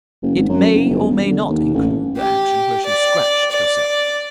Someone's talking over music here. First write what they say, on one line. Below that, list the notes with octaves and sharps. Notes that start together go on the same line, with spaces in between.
It may or may not include the action where she scratched herself.
F#1
G#1
F#2
F#1
G1
E1
D3
D#2
A1
G4
D5
D5